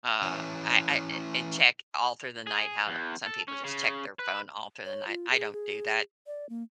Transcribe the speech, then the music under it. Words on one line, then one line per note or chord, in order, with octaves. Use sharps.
uh, I I, eh, and check all through the night, how some people just check their phone all through the night, I don't do that,
E3 C#4
G#4
E2
A4
C#4
C#3
B4
C#5
F4
G#4
G#4
D5
A#3